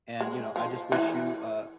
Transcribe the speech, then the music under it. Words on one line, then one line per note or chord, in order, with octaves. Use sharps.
and, you know, I just wish you, uh,
G#3
F3
E3